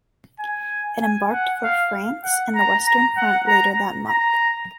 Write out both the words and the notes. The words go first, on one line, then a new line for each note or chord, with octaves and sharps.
It embarked for France and the Western Front later that month.
G#5
G#5
F#5
F5
F#5
A#5
A#5
F#5
A#5
A#5